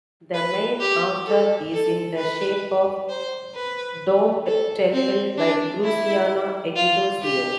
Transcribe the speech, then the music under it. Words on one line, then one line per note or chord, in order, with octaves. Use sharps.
The main altar is in the shape of domed temple, by Cruciano Egiduzio.
B4
G4
A4
A4
B4
C5
B4
A4
C4
D4
E4
F4
G4